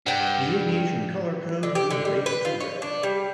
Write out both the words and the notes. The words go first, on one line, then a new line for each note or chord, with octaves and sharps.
The Aviation Color Code was raised to Red.
G2 F#5 G5
D3
G4
D3
G3
B4
F4
C#5
D4
G3